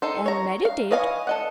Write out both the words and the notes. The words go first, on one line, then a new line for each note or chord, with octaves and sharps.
'And meditate?
D#4 A4 C5
C#5 A#5
F5
B4 C#5 D#5 F5 G#5
A4 D#5 F#5